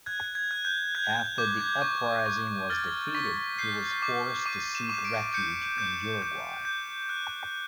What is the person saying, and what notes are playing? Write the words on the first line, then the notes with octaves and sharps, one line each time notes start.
After the uprising was defeated, he was forced to seek refuge in Uruguay.
F#6 G#6
G#6
F#6
G6
F#6 G#6
G6
D6 G6
G#6
C#6
C#6
F6 A6
C#6 B6
G6 C7
D6
D6 D#7
E7
D6
D7
G6 C#7
G6
G6
G6
F#6